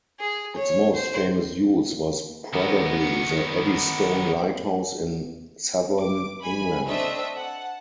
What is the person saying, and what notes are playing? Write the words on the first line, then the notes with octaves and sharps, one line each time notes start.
Its most famous use was probably the Eddystone Lighthouse in southern England.
G#4
C#5
C5
D#3 B3
D6
G#5 B5
A3 C4 D4 A4 D#5 E5
F#5 A5